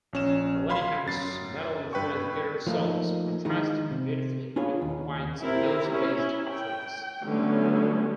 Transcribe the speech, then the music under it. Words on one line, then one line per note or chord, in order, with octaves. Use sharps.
Lenihan's metal-influenced guitar solos contrasted beautifully with Wynn's blues-based offerings.
A#1 C#4 E7
F5 B5 C6
F#2 A6 C7
G2 B4 G5 C#6
F3 A3 A#3 D#4
D#3 E3 G#3 D#4
C3
D4 F4 G#4 B4 C#5
D#2
C4 E4 G4 A#4
C#4 E4
G5
D3 F#3 G3 A3 B3 C#4